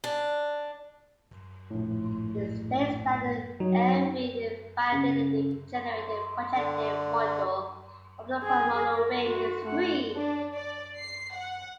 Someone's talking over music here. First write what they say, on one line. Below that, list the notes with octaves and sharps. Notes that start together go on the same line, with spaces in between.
It states that every finitely generated projective module over a polynomial ring is free.
D4
A#1 A2
F#3 D#4 C#5
C#3
D3
G#4
A#4
F#4
A3 F#5
D4
D5
C7
F#5